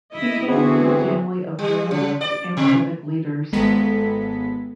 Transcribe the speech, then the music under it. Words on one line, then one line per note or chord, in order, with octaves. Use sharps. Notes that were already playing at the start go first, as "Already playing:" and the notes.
He came from a family of journalists and civic leaders.
E4 D#5
D3 E3 B3 C4 F#4 G#4 E5
G3
C#3
D5
B2
G#1 G#3 B3 A4 B5 B6